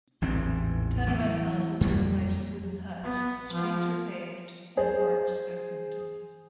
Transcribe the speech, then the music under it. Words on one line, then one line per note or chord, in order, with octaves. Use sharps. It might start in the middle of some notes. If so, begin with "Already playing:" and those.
Tenement houses replaced wooden huts, streets were paved and parks opened.
A1 E2 G#2 C4
E3 A3
F2 G3 A#3
B3
F3
G#4 C5